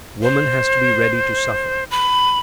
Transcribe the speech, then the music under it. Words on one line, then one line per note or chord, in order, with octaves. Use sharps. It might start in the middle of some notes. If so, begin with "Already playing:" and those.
Woman has to be ready to suffer.
C5
B5